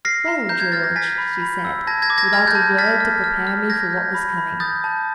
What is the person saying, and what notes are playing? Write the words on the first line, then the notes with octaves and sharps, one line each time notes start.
"Well, George?" she said, without a word to prepare me for what was coming.
F6 A#6 C7
A#5
A#5 G6
G#6
F6 A6
A#6
G#5 A6 B6
B5
B5
E6
A5 G#6 A#6
G#6 A#6
D6
G#6 A#6
F6 G#6 A#6
G6 A6
A5
F6 A6 B6
F6
F6
F6
G6 G#6 A#6
G6
B5
B5
D#6 G6 A6
A5